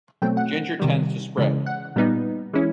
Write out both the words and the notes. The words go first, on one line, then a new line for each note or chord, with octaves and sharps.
Ginger tends to spread.
B2 F#3 A3 C4 G5
F#5
C3 D#3 G3
C#3 E3 G#3
F#5
A#2 G3 B3 D#4
E3 G#3 C#4 E4